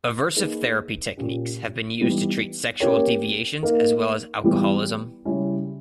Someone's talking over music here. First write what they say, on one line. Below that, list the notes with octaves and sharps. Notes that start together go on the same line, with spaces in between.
Aversive therapy techniques have been used to treat sexual deviations as well as alcoholism.
A#3 D#4 G#4 B4
A#2 A#3 C#4 G4
E3 G3 B3 D#4
A#3 C#4 G4 A#4 C#5
A#3 D#4 A#4
E3 G3 B3
C#3 G3 C#4 E4